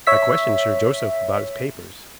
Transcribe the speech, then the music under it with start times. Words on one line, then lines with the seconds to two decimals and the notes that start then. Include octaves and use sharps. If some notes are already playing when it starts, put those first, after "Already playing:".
I questioned Sir Joseph about his papers.
0.07 C#5 E5 B6